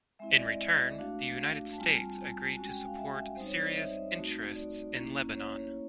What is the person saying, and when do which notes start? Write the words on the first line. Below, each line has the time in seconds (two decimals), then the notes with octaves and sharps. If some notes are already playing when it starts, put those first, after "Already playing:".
In return, the United States agreed to support Syria's interests in Lebanon.
0.19 G#3 C4 E4 E5
0.29 D#5
0.37 D5
0.45 D#5
0.99 A3 D4 F#4 F5
1.73 A5
1.78 G3 C4 F4 G#5
2.57 G#3 C#4 F#4 G#5
2.67 G5
2.78 G5
2.87 F5
2.97 E5
3.37 G3 C4 D#4 C5
3.46 C#5
3.57 D5
3.66 D#5
3.76 E5
4.16 A3 C4 D#4 F#4
4.55 D5
4.95 A#3 C#4 E4
5.35 C#5